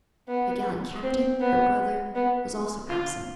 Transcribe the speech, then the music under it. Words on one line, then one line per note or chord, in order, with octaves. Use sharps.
The gallant captain, her brother, was also absent.
B3
C4
B3
B3
F4